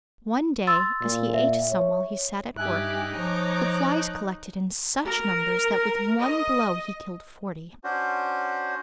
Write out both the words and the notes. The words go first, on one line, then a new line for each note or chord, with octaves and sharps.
One day, as he ate some while he sat at work, the flies collected in such numbers that with one blow he killed forty.
C6 E6 A6
A#2
E5
C#5
G2 D#4 G4 E5 G#5 F#6
F3 C#5 A#5 D6
A#4
D#5
C#4 D4 F#4 C5